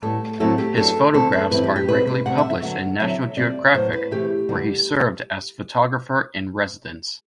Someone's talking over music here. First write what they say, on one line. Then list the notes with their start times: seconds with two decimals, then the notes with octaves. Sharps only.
His photographs are regularly published in "National Geographic", where he served as photographer-in-residence.
0.03 A2 G3 B3 A4
0.40 A2 F#3 A3 C4 E4 A4
0.58 G4
0.77 F#2 F#3 B3 D4 A4
1.14 D2 D3 A3 C4 A4
1.33 B4
1.51 G2 E3 G3 C4 E4 B4
1.64 G4
1.76 G4
1.88 B2 G3 C4 B4
2.07 B4
2.25 D2 C3 G3 F#5
2.38 E5
2.50 E5
2.63 D3 F#3 B3 F#5
3.00 D3 F#3 C4 E4 E5
3.37 D3 G3 C4 D5
3.74 A2 F#3 B3 C5
3.93 B4
4.11 C3 E3 A3 G4
4.49 D2 D3 G3 B3